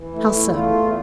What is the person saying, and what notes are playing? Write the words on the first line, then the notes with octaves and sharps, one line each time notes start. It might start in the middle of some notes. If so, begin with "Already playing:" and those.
"How so?"
Already playing: E3
A3 E4
E2
A3 F4
E2